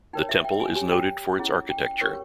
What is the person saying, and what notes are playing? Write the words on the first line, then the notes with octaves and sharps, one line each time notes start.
The temple is noted for its architecture.
D#4 A#4 C#5 G5
E5
G5
G#5
G4 C#5 G#5
G5
C#4 E4 G#4 C#5
G5
G5
C#4 G4 A#4 C#5 C#6